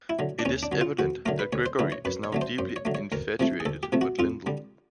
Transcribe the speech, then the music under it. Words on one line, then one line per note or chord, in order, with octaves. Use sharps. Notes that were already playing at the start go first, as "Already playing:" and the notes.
It is evident that Gregory is now deeply infatuated with Lyndall.
E4
D3 F#3
D4
D#2 C#4
D4
D3 F#3
F4
D2 F#4
D3 F#3 A3 A#4
B4
D2 C#5
C5
D3 F#3 A3 B4
C#5
F#2 B4
C#5
D3 F#3 A3
C5
F#2 C5
C#5
D3 F#3 A3
C#5
D2 A#4
C3 F3 A3
G#4
D2 A4
G4
C3 F3 A3
F#4
F2 F4
D3 G3